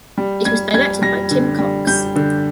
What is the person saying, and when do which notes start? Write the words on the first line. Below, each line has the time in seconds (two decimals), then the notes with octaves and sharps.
It was directed by Tim Cox.
0.18 G3
0.45 G3 G#6
0.74 G3 G#6
1.02 G3 A#6
1.31 D3
1.58 G3
1.87 G3 G6
2.16 D3